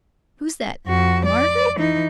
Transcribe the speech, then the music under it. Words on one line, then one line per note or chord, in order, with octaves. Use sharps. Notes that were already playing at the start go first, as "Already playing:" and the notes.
Who's that,--Margaret?
F2 F#4
D5
E3 D#4